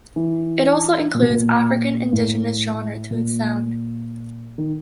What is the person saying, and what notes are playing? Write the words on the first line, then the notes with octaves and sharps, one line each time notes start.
It also includes African Indigenous Genre to its sound.
E3
A#2
B2
A#2
A2
A#2
D#3